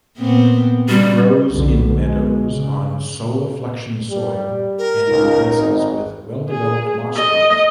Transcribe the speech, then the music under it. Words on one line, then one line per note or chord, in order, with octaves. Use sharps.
It grows in meadows, on solifluction soil, and in places with well-developed moss growth.
A#2 B3 C4
C#3 G3
B1 F2 D3
B2 G#3
C#3
G3
A#4
C#2 D#4
G#1
G#4
D#5